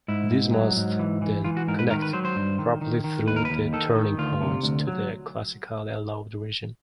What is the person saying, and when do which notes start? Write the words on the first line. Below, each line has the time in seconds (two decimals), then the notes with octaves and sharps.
These must then "connect" properly through the turning points to the classically allowed region.
0.08 G#2 E4
0.31 G#2
0.54 F#3
0.77 G#2
0.99 E3
1.22 E3
1.44 E3 F4
1.57 F#4
1.68 G#2 A#4
1.79 B4
1.90 D#3 A#4
2.02 B4
2.13 F#3 C5
2.25 C5
2.36 G2
2.59 D#3
2.81 D#3
3.04 D#3
3.27 D#2 B4
3.36 A#4
3.45 B4
3.50 D#2
3.73 D#3 A4
3.95 D#3
4.18 D2 F4
4.41 C3
4.63 D2
4.87 F#3